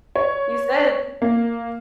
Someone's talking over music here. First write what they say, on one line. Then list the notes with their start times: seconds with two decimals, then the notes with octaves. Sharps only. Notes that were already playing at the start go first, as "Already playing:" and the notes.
you said,
0.16 C#5
1.22 A#3